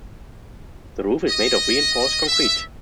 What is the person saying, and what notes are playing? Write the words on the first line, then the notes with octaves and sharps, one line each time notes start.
The roof is made of reinforced concrete.
D#5
E5